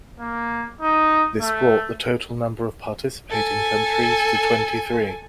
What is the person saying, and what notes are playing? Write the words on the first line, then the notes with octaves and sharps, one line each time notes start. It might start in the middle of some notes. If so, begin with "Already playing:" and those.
This brought the total number of participating countries to twenty-three.
A#3
D#4
A3
A4 G#5